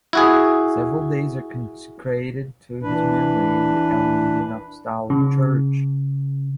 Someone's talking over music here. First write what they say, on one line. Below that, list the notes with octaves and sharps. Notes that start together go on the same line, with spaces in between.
Several days are consecrated to his memory in the Armenian Apostolic Church.
E4 F#4 G#4
E3 D4 B4
C#3